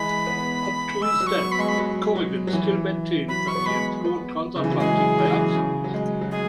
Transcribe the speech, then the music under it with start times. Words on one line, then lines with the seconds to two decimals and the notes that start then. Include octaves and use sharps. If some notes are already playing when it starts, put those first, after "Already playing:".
Up to his death, Corrigan still maintained that he had flown transatlantic by accident.
Already playing: E3 G#3 B5
0.26 B3
1.01 G#3 E6
1.21 F#3
1.27 C#6
1.39 B3
1.52 B5
1.59 G#3 C#6
1.69 B5
1.78 F#3
2.16 F#3
2.47 F#3
2.53 E3
3.28 F#3 B5
3.48 C#6
3.55 B3
3.66 G#3 B5
4.05 B3
4.56 C#3
4.64 E3
4.72 F#3
4.80 G#3 G#4
5.18 E3
5.25 F#3
5.32 E3
5.55 C#3
5.84 F#3
5.94 G#3
6.21 F#3
6.31 G#3 G#4